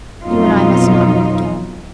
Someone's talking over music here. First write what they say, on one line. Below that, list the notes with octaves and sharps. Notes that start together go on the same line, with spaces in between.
You and I must not meet again.
F2 B2 F#3 D#4 F4